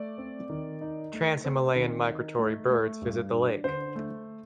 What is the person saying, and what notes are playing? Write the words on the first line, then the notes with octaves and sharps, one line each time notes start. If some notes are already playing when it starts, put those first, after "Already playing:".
Trans Himalayan migratory birds visit the lake.
Already playing: A3 D5
C4
D#3
D#4
A3
C4
D#3
D#4
A3
A3
G2
D4
D3 C5
A3